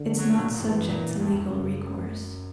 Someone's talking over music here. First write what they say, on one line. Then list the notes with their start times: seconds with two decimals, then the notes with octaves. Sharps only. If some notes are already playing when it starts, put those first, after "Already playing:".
It’s not subject to legal recourse.
Already playing: D3
0.17 F#3
0.38 A#2
0.52 A#2
0.60 G2 E3
0.75 F#2
0.90 A#2
1.18 G2
1.33 E2
1.47 F#2 C#3